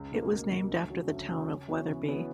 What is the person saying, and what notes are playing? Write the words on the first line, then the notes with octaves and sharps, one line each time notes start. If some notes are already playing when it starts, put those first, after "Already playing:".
It was named after the town of Wetherby.
Already playing: C#2
B2 A#3
C#2
B2 A#3
D2
C#3 F#3
D2
C#3 F#3
C#3
E3 B3 F#4 C#5
C#3
E3 B3 F#4 C#5